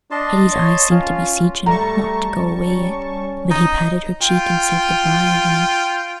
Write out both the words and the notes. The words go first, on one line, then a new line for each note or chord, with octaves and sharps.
Hetty's eyes seemed to beseech him not to go away yet; but he patted her cheek and said "Good-bye" again.
D4 D#5 A5 C6
C#5
C#4 F4
G3 A3 A5 A#5 C#6
C#4
D#4 D#5
F4 G5